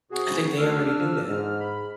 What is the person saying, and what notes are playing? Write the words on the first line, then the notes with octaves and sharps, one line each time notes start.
I think they already do that.
C3 F#4 G#4
D2 D4 E6 F6
F3
G#2 F6
B5